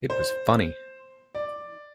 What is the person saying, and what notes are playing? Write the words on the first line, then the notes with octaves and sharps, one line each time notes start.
It was funny.
C5
D5